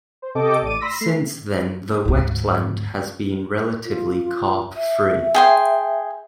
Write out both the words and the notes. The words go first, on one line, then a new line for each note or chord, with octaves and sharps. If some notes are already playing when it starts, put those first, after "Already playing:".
Since then the wetland has been relatively carp free.
C5
C3 A4 D#5 G5 D6
A1 D5 D6 D#7
B5 C6 E6 A#6 B6
A3 C7
D2 G#2
F4
E5
G#4 G5 C6